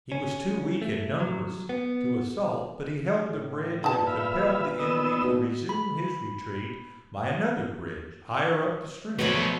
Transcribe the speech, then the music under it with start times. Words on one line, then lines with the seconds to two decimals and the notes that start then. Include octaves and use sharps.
He was too weak in numbers to assault, but he held the bridge and compelled the enemy to resume his retreat by another bridge higher up the stream.
0.12 C#4
0.82 A3
1.20 F#3
1.69 B3
3.26 A2
3.84 A#2 D#4 B4 A5
4.07 E5 F5 B5
4.79 B3 D#5 E6
5.24 B2
5.69 B5
9.19 B2 F3 F#3 A3 F#4 B4 C#5 B5